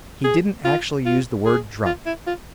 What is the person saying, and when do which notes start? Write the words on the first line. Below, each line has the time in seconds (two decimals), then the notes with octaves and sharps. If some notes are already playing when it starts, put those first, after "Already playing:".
He didn't actually use the word 'drunk.'...
0.24 G#4
0.65 F4
1.06 F4
1.46 G#4
1.86 F4
2.06 E4
2.27 F4